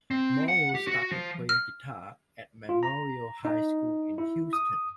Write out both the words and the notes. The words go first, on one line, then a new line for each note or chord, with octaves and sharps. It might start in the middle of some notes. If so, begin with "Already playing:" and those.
Morrow started playing guitar at Memorial High School in Houston.
C4
F#5
G4
F#4
F3
F6
F4
A#5
D#4
E4
D#6